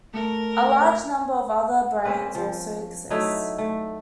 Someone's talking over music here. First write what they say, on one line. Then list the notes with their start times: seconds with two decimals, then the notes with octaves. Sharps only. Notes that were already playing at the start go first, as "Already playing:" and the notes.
A large number of other brands also exists.
0.13 A3 A#4
2.05 A#3 C4 C#4 B4
2.35 F3
3.10 F#3 A3 D#4 E4
3.58 A3